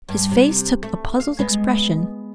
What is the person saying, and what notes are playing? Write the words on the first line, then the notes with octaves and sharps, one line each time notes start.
His face took a puzzled expression.
G2
C3
A3
F5
G#3 B3